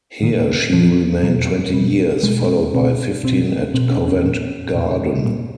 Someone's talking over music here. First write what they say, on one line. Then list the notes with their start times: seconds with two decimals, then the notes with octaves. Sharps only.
Here she remained twenty years, followed by fifteen at Covent Garden.
0.22 A#2 D#3
0.73 A#2 F3
1.23 B2 F#3
1.73 B2 G3
2.23 B2 G#3
2.74 B2 C4
3.23 B2 C4
3.74 B2 C4
3.91 C#4
4.08 C#4
4.24 A#2 C#4
4.75 A#2
5.25 A#2